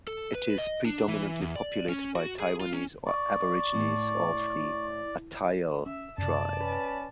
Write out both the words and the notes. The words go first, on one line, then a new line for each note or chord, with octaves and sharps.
It is predominantly populated by Taiwanese aborigines of the Atayal Tribe.
A4
B4
D#5
D4
E3
E2
D5
C#4
F#4
G#4
F4
C#4
D5 C#6
A2
C#4 E5
F#2 C3 D5 A5
C#4 B4